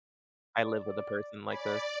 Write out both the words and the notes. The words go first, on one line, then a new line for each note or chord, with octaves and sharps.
I live with a person like this.
D5
C#5 D5 G#5 B5